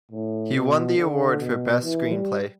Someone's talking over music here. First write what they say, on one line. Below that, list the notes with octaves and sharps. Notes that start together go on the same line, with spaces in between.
He won the award for Best Screenplay.
A2
B2
D3
B2
E3
G3